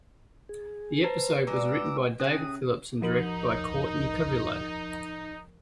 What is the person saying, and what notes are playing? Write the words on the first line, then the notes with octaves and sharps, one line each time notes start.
The episode was written by David Phillips and directed by Cortney Carrillo.
G#4
B4 C5 A5 A#5
G#3 F#4 D5 A#5 D6 E6
C3 C#4 G#4 D#6
F3 D#4 A#4 F#7